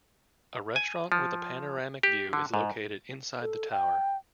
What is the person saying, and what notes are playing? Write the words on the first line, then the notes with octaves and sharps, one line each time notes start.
A restaurant with a panoramic view is located inside the tower.
G#5
F3
G4
D3
G#2
A4
G5